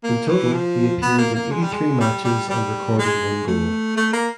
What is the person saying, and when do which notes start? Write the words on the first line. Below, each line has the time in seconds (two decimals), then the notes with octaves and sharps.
In total he appeared in eighty three matches and recorded one goal.
0.03 A#3
0.28 E3
0.52 F3
1.02 B3
1.18 A#3
1.35 A#3
1.51 G#3
1.62 G3
1.73 G#3
2.00 G3
2.25 G3
2.50 G3
2.99 G#3
3.48 A3
3.97 A3
4.13 A#3